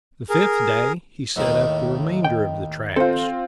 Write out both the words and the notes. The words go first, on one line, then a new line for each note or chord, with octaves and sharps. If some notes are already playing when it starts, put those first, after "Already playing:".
The fifth day he set up the remainder of the traps.
G#4 A#4
D#2 A2 D#3
G5
C4 F4 A4 C5